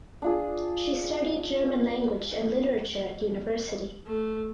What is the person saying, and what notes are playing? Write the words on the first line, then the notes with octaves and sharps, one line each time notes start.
She studied German language and literature at university.
D4 F4 G#4
A3